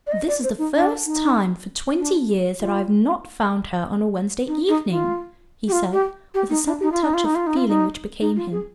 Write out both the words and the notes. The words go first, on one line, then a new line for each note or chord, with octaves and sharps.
"This is the first time for twenty years that I have not found her on a Wednesday evening," he said, with a sudden touch of feeling which became him.
D5
D#5
D5
C5
D#4
D4
D#4
D4
F4
D#4
D#4
F4
G4
F4
G4
G4
D#4
D4
D#4
F4
D#4
F4
D#4
F4
D#4
F4
D#4
D#4
F4
G#4